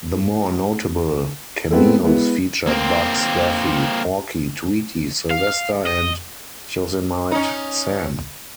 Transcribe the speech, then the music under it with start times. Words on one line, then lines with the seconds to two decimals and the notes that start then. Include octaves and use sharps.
The more notable cameos featured Bugs, Daffy, Porky, Tweety, Sylvester and Yosemite Sam.
1.71 G#3 B3 C4 E4 A4
2.03 G#3 B3 E4
2.67 A#3 C4
5.31 F5
5.87 D#5
7.31 C#4 D#4